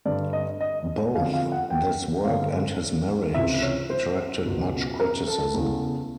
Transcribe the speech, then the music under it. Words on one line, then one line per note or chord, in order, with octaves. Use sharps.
Both this work and his marriage attracted much criticism.
G2 D3 D5
D#5
D#5
F2 D3 F5
F5
F#5
G5
G2 D3 F5
C#2 C3 E3 E5
C#5
C5
C#2 B2
A#4
A4
E2 C#3 E3